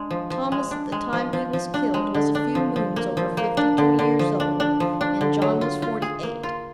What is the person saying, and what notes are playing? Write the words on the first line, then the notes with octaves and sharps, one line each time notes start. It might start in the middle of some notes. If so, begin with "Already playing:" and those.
Thomas, at the time he was killed, was a few moons over fifty-two years old, and John was forty-eight.
Already playing: G#3 D4
F3
F3
G#3
D4
G#3
F3
F3
F3
D4
G#3
D3
D4
F3
F3
A#3
F3
A#3
D4
D3
D3
F3
D4
D4
F3
D4
D3
F#3
F4
F4
G#4
A#3
F4